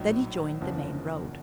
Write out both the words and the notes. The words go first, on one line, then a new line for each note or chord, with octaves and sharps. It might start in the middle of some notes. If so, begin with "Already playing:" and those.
Then he joined the main road.
Already playing: A#1 A2 F#3 D#4
F#1 E2 C#3 F3